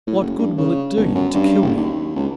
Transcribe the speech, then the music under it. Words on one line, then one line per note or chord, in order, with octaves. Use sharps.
What good will it do you to kill me?
A2
F#1
G2
C#3
G1
F#2
G2
F#1
D#2
C#2